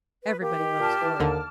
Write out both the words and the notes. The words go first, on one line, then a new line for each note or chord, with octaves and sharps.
Everybody loves Glory.
B4
A#3 G4
D#3
A#2 A5 D6 F6
E3
D#2 D3 A#3